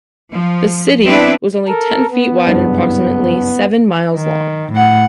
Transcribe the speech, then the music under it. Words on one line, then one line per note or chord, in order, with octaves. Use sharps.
The "city" was only ten feet wide and approximately seven miles long.
F3
B3 C4 D4 E4 B4
A4 A#4
B3
F#1 C2 G2
D#3
A2 F#5